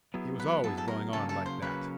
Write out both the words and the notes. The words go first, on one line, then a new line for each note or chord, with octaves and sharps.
He was always going on like that.
F#3 B3 E4 G#4
B4
F#3 B3 E4 G#4 A4
A4
A#4
C#3 F#3 A#3 C#4 A4
A4
C5
C#3 F#3 A#3 C#4 B4